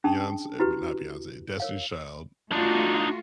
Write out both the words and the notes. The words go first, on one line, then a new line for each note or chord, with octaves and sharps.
Beyoncé but not Beyoncé, Destiny's Child.
C#4 D4 G#4 G5 A5 D#6
E4 F#4 G4 B4
A#4 C#5 F5
A3 D4 D#4 F4 F#4